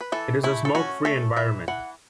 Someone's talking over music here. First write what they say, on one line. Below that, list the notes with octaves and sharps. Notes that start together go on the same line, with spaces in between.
It is a smoke-free environment.
B4
E3 A4
A3 E4
A4
C#4 F#4
A3 A4
E3 E5
E3 F#5